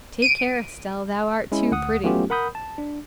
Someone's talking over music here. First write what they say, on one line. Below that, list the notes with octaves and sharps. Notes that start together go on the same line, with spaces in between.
Take care, Estelle, thou art too pretty!
D7 D#7
G#3 C#4 E4
D2 F#5 D#6
F#3 A3 B3 C#4 F4 G4
A#4 F#5 B5 D#6 G6
A5
D4